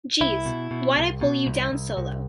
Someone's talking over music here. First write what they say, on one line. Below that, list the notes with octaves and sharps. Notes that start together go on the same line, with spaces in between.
Geez, why'd I pull you down so low?
C2 E4
B2
B2
C2
B2
C2
C2
C2